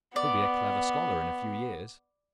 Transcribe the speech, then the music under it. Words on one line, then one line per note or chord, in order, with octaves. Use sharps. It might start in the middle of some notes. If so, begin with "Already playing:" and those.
He'll be a clever scholar in a few years.'
B3 D5